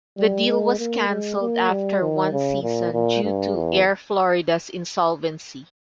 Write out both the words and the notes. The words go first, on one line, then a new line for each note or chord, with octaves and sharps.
The deal was cancelled after one season due to Air Florida's insolvency.
G3
G#3
A#3
G#3
A#3
G3
D#3
C#3
A#2
A#2
G2
E2